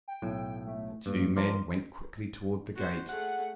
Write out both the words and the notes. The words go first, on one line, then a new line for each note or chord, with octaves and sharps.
The two men went quickly towards the gate.
G5
B1 A2
A3
G2 A#3
F3 A#4 D5 C6
F#4 C5
A3 G#4 F#5